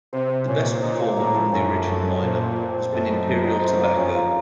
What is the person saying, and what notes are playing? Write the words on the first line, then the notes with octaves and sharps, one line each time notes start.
The best performer from the original lineup has been Imperial Tobacco.
C3 C5
C5
A#2 C#4
C5
A#2 D#4
A#3
A2 A#3
F3
F#2 C#4
A3
F#2 A3
C#4
A#2 C5
C5
C4
C4
F#2 A4
D#4
F#2 D#4
D#4
F#2 C5
A#3
F2 C#4
F4